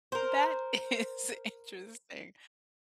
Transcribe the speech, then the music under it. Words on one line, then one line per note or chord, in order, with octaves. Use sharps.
That is interesting.
A#4 C5